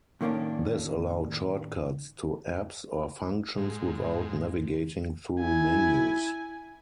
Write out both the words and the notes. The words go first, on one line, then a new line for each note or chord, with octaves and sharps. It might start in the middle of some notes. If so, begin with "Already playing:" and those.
This allowed shortcuts to apps or functions without navigating through menus.
A2 D#3 A#3 C#4 D4
G#2
E4 G#5